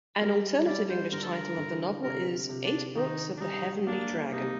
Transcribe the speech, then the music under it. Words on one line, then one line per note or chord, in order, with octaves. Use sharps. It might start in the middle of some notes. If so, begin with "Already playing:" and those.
An alternative English title of the novel is "Eight Books of the Heavenly Dragon".
G3 A#4
G3 D5
C5
D3 A#4
A4
A#4
D3
C3 A#4
C3
D4
D#3 D#4
D4
G3 D#4
A#3 D4
C3 D#4